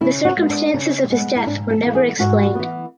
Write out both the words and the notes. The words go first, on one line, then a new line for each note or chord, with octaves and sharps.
The circumstances of his death were never explained.
C#3 E4
F#4
G#3
B3
D4
C#3
G#3 B3
E4
G#2 D4
A4
E3 B3
G#4
G#2 F#4
E3 B3